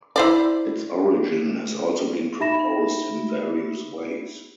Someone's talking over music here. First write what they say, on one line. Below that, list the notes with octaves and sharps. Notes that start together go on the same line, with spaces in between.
Its origin has also been proposed in various ways.
E4 C5 D5
D#4 E5 B5 A#6 E7